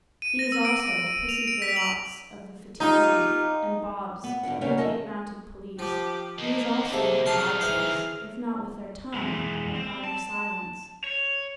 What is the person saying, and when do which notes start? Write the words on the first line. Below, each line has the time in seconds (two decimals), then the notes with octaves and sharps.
These also, Pussy Ferox of the Phiteezi, and Bobs of the Cape Mounted Police - these also have lied to us, if not with their tongue, yet by their silence.
0.22 D#7
0.39 A#6
0.52 E6
0.65 D7
0.80 D#7
1.06 D#7
1.29 F7
1.48 D7
1.62 B6
1.76 F#7
2.80 D#4 F4 G4
4.24 B3
4.43 G2 D3 E4 F#5
4.61 C#3 G3 A#3 B3 C#4
4.77 F2 D#3 A4 D#5 E5 A5
5.79 F3 G4 D6
6.38 D#3 A#3 D#5
6.92 C3 G#4 A4
7.26 D#3 F3 F4 G#4 A5 C6 F6
7.61 E3 C5 E5
9.14 E3 G#3
9.74 C4
10.04 A5
11.04 C#5